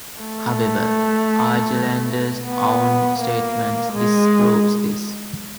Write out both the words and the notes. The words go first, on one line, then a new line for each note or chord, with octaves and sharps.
However, Argelander's own statement disproves this.
A3
B3
A#3
G#3